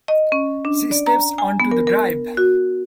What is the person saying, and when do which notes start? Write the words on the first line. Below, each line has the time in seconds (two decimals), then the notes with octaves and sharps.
She steps on to the drive.
0.08 D#5
0.32 C#4
0.65 D4
0.91 D5
1.07 A#5
1.38 G#5
1.60 B3
1.71 A#4
1.87 A#4
2.37 F#4